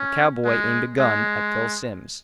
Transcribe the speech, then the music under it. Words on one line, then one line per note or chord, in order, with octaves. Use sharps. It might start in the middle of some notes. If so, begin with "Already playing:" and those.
A cowboy aimed a gun at Phil Simms.
Already playing: C#4
G#3
G#3